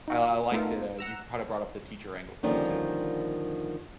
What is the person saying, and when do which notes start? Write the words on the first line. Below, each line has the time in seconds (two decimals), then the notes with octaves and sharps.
I I like that, uh, you b kinda brought up the teacher angle to this, too.
0.08 D#4 F#4
0.52 A3 B3 D#4 F4 A4 A#4
0.99 F#5 A#5 E6
2.43 D3 D#3 F3 G3 A#3 C#4